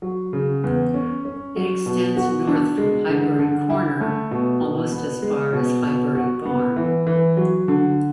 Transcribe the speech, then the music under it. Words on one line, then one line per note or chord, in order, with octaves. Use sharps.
It extends north from Highbury Corner almost as far as Highbury Barn.
F#3
C#3
E2
C#4
C#4
F#3
B2
F#4
D4
G#3
D3
D3
E4
A3
B2
B2
B3
G#3
B2
B2
F#4
B3
E3
E3
F#3
D3